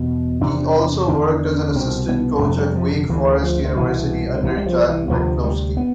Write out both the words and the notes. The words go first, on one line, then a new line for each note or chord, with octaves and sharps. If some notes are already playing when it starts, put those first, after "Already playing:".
He also worked as an assistant coach at Wake Forest University under Jack McCloskey.
Already playing: E2 B2
E2 C3 D4
E2 D3 D4
C2 B2 C4
B3
F2 C3 A3
G3
F3
D3
D2 D3 E3
F3
D3
C2 B2 E3
D3
C2 C3 E3
G3
F3
E3
D2 C3 F3
G3
B3